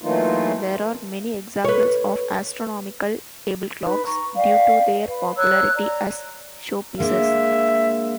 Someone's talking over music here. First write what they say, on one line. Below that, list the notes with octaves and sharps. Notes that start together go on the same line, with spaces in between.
There are many examples of astronomical table clocks, due to their popularity as showpieces.
E3 F#3 A3 A#3 D#4 F4
B4 C#5
D#4 B4
A#5 C#6
D5 F5 G5
B4
C#5 A#5 E6 F#6
D5 A#5
G#3 A#3 D4 E5